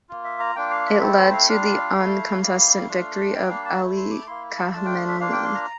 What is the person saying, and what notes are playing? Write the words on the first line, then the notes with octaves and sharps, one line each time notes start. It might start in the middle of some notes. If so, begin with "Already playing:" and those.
It led to the uncontested victory of Ali Khamenei.
A#3 F4
E5
A#5
A#3 D4 F4 G5
F5
E5
A3 C4 E4 A4
C5
F5
G3 D4 F4 F5
A3 E4
G3 A#3 E4
A3 D4 F4
G3 A#3 D4 G5
F5
A5
A3 E4
C6
D6
A#3 E4 C6
A5
A3 D4 F4 A5
G5
E5
A#3 D4 F4 F5
G5
C6
A#5